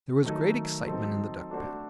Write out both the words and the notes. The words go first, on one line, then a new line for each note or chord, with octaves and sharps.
There was great excitement in the duck pen.
D#3 F#3 A3 D#4
F#3 C4 D#4 A4 D#5
A3 D4 F#4 C5